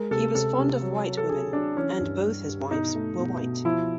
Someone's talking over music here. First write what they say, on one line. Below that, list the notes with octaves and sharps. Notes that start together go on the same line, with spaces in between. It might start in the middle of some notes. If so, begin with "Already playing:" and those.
He was fond of white women, and both his wives were white.
Already playing: G#3 A#4
C3 A4
C3 A4
C3
F#3
F#3
A4
F#3 G#4
F#3 D4
E3 C#4
G2
G3
G2
B2 D#4
A3
B2
B2
F3 E4